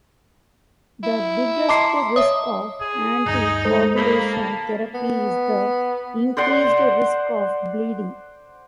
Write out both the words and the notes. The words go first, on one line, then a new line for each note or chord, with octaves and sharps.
The biggest risk of anticoagulation therapy is the increased risk of bleeding.
E4
D#5 A5 A#5 C6 D6 C7
C#5 E5 D#6
G#4
D2 G2 D#4
G#3 A4 C5
A#3 B5
A5
B3
C5 D5 F#5 C6